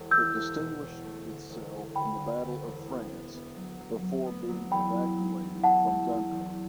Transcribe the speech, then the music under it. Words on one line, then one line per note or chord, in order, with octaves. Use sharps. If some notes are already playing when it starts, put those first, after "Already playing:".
It distinguished itself in the Battle of France before being evacuated from Dunkirk.
Already playing: E1
E2 E6 G6
E1
B2
E1
A3
D2
E1
A3
D2 G5 B5
D3
D2
E1
B3
B3
B3
F#3
F#3
F#3
B3
F#3
E2 G5 B5
F#3
F#3
E2
E2 F#5 A5
E2
F#3
E2